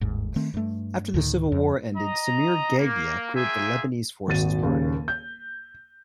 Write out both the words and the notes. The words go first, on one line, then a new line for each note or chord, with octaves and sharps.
After the civil war ended, Samir Geagea created the Lebanese Forces Party.
G1 D#2 G#2
D#3 A3 C4
G2 A3
D2 A2 D3 D#3
F2
D#5 A#5
A#3
A#3 F4 G#4 E5 G5 G#5
D#1 G#1 F#4 A6 D#7
D#1 D#2 C#3
G6